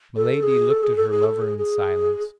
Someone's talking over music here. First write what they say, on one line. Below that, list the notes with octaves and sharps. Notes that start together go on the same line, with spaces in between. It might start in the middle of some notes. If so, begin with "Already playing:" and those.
Milady looked at her lover in silence.
A4
G#4
A4
G#4
A4
G#4
A4
G#4
G#4